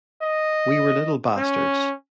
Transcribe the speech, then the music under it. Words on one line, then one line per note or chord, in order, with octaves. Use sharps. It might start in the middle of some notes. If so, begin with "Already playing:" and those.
We were little bastards.
D#5
C#4